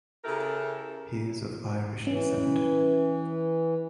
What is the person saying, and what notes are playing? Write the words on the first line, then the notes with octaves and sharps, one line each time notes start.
He is of Irish descent.
C#3 E4 G4 A4 A#4
E3 C#4